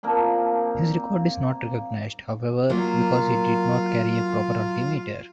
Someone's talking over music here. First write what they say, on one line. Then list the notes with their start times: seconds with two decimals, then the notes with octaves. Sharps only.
His record is not recognized, however, because he did not carry a proper altimeter.
0.03 F3 A#3 C4 D4
2.70 F#3 A#3 F4